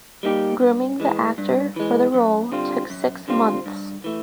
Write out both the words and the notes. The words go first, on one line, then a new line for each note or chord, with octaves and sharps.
Grooming the actor for the role took six months.
G3 A#3 D#4 G4
G2
E3 G#3
G2
E3 G#3
F#2
D3 G3 C4 F4
F#2
D3 G3 C4 F4
G2
E3 A3